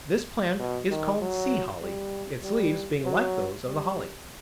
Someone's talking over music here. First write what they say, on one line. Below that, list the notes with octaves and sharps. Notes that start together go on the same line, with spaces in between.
This plant is called Sea Holly, its leaves being like those of the holly.
B2
D#3
F#3
G3
G3
F#3
G3